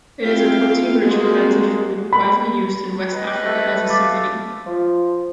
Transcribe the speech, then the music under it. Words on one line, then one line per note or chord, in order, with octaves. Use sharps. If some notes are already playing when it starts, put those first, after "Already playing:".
It is a protein-rich fermented food widely used in West Africa as a seasoning.
C4 E4 F4 F5 G5
G3 G#3 A#3 C4 F#4
B5
B4 D#5
A3
F5 D6 A6 B6
F3